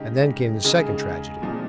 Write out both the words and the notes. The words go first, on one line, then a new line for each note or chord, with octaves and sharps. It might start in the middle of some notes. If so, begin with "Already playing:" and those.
And then came the second tragedy.
Already playing: C#3 G#3 D#4 G4
C#3 G#3 D#4 G#4
A#2 F3 G#3 C4 D#4